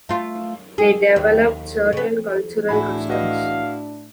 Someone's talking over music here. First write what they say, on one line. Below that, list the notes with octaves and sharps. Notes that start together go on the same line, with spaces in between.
They developed certain cultural customs.
A3 F4
G#4
D#2
C#3 B3
A2 D4 E4 F#4 G#5 B5
F#4 B4 D#5 F5